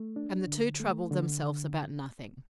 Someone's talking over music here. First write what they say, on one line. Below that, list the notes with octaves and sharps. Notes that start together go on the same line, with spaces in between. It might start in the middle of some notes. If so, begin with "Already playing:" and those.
And the two troubled themselves about nothing.
Already playing: A3
D4
D3
A3
D3
D3